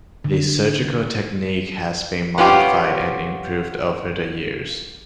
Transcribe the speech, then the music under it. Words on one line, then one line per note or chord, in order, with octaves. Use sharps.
The surgical technique has been modified and improved over the years.
D3
B3 C#4 F4 G4